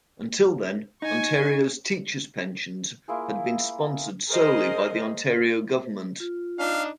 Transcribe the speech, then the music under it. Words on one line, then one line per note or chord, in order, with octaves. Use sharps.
Until then, Ontario teachers' pensions had been sponsored solely by the Ontario government.
D#4 G#5 C#6
A#3 E4 F4 G#4
G#4 A#4 C5 D#5
F4
D4 D#4 F5